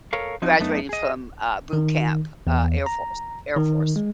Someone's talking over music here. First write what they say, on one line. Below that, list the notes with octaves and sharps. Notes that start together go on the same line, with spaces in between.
graduating from, uh, boot camp, uh, Air Force Air Force
A4 A#4 C#5 F5
F3 C4 D#4 E4 F#4
F#2 A3 B3 D#4
G#4 D#5
D#3
E2
A#5
D#3
G#3